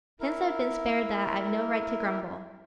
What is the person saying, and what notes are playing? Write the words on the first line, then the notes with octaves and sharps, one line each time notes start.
Since I've been spared that, I've no right to grumble.
E4 A#4